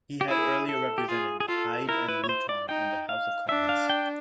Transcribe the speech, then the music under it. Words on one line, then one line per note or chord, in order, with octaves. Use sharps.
He had earlier represented Hyde and Luton in the House of Commons.
G4
E4 G#4
A4
G4
F4 G#4
G#4
F4 A4
E4 A#4
B4
C#5
C5
D5
D#4 G5
F5
D4 E5
F5
G5